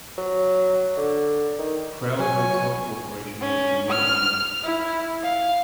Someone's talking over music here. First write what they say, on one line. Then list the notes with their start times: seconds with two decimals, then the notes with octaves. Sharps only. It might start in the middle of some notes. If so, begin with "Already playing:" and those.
Prell Hotel Corporation was the new owner.
0.18 F#3
0.97 D3
1.59 D#3
2.19 F#3 C#5 G#5
3.41 C#4
3.90 F6
4.64 E4
5.23 F5